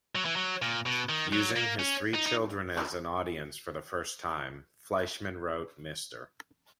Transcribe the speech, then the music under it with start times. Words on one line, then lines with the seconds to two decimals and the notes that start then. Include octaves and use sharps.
Using his three children as an audience for the first time, Fleischman wrote Mr.
0.15 F#3
0.25 E3
0.36 F#3
0.62 A#2
0.86 B2
1.09 D#3
1.33 F#3
1.56 A#3
1.79 C#4
2.14 D#4
2.26 D#4